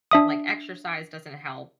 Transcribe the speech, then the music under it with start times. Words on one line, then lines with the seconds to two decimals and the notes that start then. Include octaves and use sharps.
like exercise doesn't help,
0.11 D4 E5 D#6